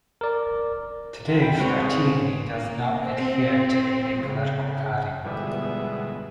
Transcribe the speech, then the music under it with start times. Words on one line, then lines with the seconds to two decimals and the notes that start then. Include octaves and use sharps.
Today Frattini does not adhere to any political party.
0.21 A#4 D5
1.27 F4
1.41 F2 G5 B5
1.59 D3 F3 G3 C4 B4 C#5
1.80 G#4 F5
2.44 A#3
3.01 C4
4.20 C#3
5.25 G1 G#2 B2 E3 G3 E5